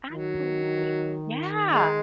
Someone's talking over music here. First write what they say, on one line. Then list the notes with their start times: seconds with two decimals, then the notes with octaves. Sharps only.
Absolutely, yeah.
0.12 D#3 F#3
1.72 G#3